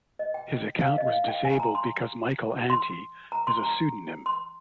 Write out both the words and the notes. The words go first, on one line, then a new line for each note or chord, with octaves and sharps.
His account was disabled because Michael Anti is a pseudonym.
D#5
G5
F5
D#5
F5
G5
G#5
A#5
C6
C6
A#5
C6
A#5
C6